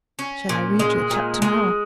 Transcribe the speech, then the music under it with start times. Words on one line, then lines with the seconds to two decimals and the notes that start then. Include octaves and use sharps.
'Shall I read you a chapter, now?'
0.19 C#4
0.49 A#2
0.79 G#3
1.11 A#2
1.42 G#3